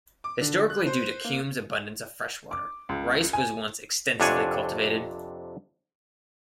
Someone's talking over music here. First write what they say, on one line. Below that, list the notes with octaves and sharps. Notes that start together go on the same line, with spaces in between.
Historically due to Kume's abundance of freshwater, rice was once extensively cultivated.
D6
D3
F#6
C5
A#3
D6
C#2
G#5
F2 C3 D4 C#5 F#5 G#5